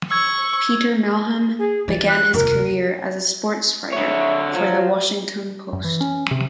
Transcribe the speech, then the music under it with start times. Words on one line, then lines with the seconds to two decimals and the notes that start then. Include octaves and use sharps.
Peter Mehlman began his career as a sportswriter for "The Washington Post".
0.11 C#6 E6 G#6
1.58 G#4
1.88 E3 D5
2.08 F#6
2.34 F1 D#2 A#4
3.93 D3 C#5 E5
4.53 F3 F#3
5.73 F#2
5.84 E3
6.01 C#4
6.31 C3